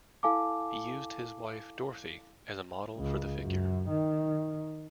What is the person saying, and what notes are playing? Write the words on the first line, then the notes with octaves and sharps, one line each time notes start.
He used his wife, Dorothy, as a model for the figure.
E4 A4 F5 G#5 A5 D6
C#2
F#2
D#3